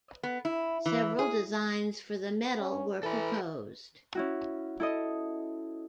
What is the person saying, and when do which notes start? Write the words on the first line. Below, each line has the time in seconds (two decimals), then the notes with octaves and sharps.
Several designs for the medal were proposed.
0.23 B3
0.45 E4
0.86 E3
1.19 G#4
2.59 C#4
3.03 E3 A4 B4
4.15 C#4 E4 F#4
4.80 E4 A4 D#5